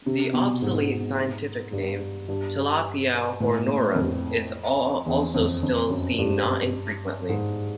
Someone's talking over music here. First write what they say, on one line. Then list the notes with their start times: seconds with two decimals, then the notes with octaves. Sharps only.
The obsolete scientific name "Tilapia hornorum" is also still seen not infrequently.
0.06 C3
0.33 B2
0.62 G#2
1.73 G2
2.29 G2
3.40 A2
3.68 A#2
3.95 F2
5.06 E2
5.34 F2
5.63 F2
5.90 F#2
6.18 G2
7.29 G#2